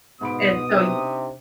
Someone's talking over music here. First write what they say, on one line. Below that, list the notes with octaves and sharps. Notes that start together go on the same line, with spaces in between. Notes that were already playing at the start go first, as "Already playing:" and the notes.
and so,
G#2 B2 B5 D#6 D7
C3 D4 D#4